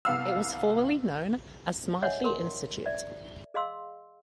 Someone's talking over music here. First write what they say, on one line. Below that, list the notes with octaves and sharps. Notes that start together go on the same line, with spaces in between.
It was formerly known as Smartly Institute.
C2 B3 F5 E6
C#5 D#5 E5 F#5 G#5
A#4 C6
D5 E5
G#4 D#5 F5 C6 E6